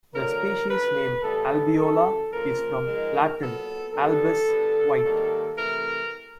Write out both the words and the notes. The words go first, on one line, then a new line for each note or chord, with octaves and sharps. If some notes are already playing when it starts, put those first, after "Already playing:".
The species name "albeola" is from Latin "albus", "white".
D3 F#3 A3 A#4
F#2 D3 G3 B4
A2 E3 G3 B3 A4
F#2 C#3 E3 G3 A4
C#3 F3 A#3 A#4
G#2 F3 G#3 B3
A#2 F#3 B3 A4
G2 D3 G3 B3 A4
D3 G3 B3
G#2 D#3 G3 A#3
C3 E3 A3 A#4